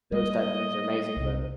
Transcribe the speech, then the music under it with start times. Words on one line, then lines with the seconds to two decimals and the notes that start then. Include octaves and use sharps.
those type of things are amazing, but
0.12 G3 G#3 A#3 D#5
1.17 C2 C3